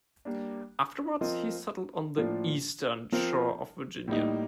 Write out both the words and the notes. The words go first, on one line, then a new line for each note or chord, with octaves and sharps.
Afterwards, he settled on the eastern shore of Virginia.
G3 A#3 D4
F3 C4 F4 A#4 D#5
A2 F3 A#3 D4 F4
F3 C4 F4 A#4
A2 G3 A#3 D#4